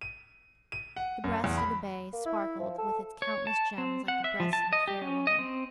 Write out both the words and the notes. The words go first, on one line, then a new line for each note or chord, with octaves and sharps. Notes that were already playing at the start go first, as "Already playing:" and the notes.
The breast of the bay sparkled with its countless gems like the breast of a fair woman.
D#7
D#7
F#5
F#2
E2
B5
A#3
E4
F3
A4
C#5
A5
C4
F#5
E5
F3
A5
D#5
G4
C#4
D#5
C4